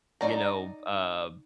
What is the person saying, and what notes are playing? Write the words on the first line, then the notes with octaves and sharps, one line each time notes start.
you know, uh
D#4 D5 A#5